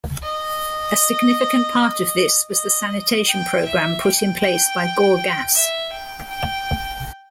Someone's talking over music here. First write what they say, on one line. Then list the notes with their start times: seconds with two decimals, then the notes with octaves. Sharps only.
A significant part of this was the sanitation program put in place by Gorgas.
0.23 D#5
2.51 D#5
3.27 G5
3.65 E5
4.02 G5
4.40 G5
5.54 E5
5.92 G5
6.29 G5